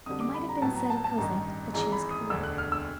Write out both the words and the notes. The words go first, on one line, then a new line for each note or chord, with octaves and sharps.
It might have been said of Cosette that she was clear.
F2 D3 G3 D#6
D6
B5
A#5
A2 F#3 B3 A5
A#5
A5
A5
A1 G2 D#3 A#5
G#1 G#2 E3 G#3 A#5
B5
D#6
E1 D2 D3 E6
F#6
F6
E6